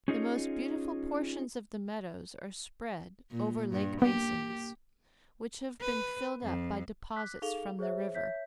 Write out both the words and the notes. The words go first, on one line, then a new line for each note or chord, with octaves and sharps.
The most beautiful portions of the meadows are spread over lake basins, which have been filled up by deposits from the river.
C#4 D#4 F4 G#4 C#5 D#5
A#2
G2
A#3 B3 G4
B4
F2
D6 F#6 B6
D#4 G#4 A4 F5 F7 G7
G#4 C5 C#5 E5
C#5 E5 G6 B6